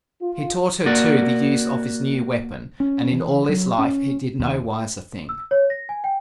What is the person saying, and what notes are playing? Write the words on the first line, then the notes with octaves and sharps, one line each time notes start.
He taught her, too, the use of his new weapon, and in all his life he did no wiser thing!
F4
A#3 F#4 D5
C#4
E3
F#3
C#4
D#2
E6
C#5
A#6
G#5
G5